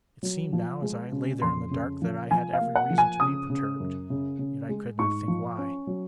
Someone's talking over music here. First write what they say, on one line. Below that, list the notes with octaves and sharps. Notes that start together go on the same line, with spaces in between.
It seemed now as I lay there in the dark that I had every reason to be perturbed, yet I could not think why.
F#3
F3
G#3
C#3
F2 C6
C#3
F3
F3 G#5
F5
A#3
F#5
F3
G#5
C#3 D#6
C#3
F#2
C#3
C#3
G#3
G#2 C#6
F3
C#4
F#3